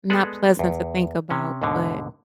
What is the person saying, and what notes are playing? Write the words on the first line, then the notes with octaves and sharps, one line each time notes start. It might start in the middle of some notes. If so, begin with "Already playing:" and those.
not pleasant to think about but
G#3 B3 G#4 A4 D5
E2
C3 C#4
D#2 G#2 B2 D3